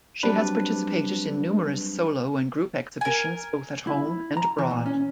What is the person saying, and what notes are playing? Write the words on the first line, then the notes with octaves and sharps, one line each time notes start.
She has participated in numerous solo and group exhibitions both at home and abroad.
F#3 G3 C4 D4 B4
A#4 G#5
E4
A#5
E3
A#2
C#4